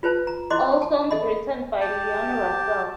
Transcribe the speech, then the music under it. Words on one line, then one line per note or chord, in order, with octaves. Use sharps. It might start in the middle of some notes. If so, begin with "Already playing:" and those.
All songs written by Leon Russell.
F4 B4 C5 A5
A#5
E4 C5 D#5 B5 C6 D6
A5
A4 D#5 E5 B5
G4 A5